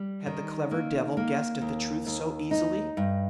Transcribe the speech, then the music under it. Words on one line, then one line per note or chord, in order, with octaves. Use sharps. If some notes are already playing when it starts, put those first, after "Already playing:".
Had the clever devil guessed at the truth so easily?
Already playing: G3
D#3
A#3
A#3
D#2
D#2
D#4
G2